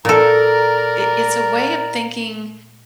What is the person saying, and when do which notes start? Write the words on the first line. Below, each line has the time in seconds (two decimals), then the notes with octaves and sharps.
It it's a way of thinking
0.05 A#2 A4 A#4 D5 A#5